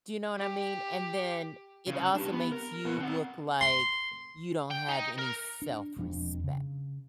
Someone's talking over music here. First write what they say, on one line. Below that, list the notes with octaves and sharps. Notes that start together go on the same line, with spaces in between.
Do you know what I mean? And then it also makes you look like you don't have any self-respect.
G4
C2 C#3
D4 G4
B3
A#4
A#2 B3
C4 F#5
C6
G5
D#4
A#4
D4
E1 F2 D4
C#3